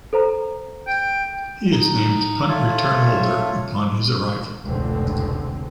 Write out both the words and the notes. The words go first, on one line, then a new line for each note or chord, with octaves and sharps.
He is named punt return holder upon his arrival.
A4 C5 A#5
G5
D#4
A3 F4 C#5
F1 C#2 B2 D3 C4